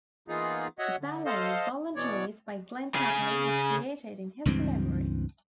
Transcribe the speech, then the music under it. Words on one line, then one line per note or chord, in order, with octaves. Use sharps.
The ballet "Voluntaries" by Glen Tetley was created in his memory.
E3 A#3 B3 D#4 F4 G#4
F#4 C#5 D#5 E5 F#5
D3
A4 C5 D#5 F5
B2 E3 B3 C#5 D5
C#3 G#4
C#2 G2 E3 C4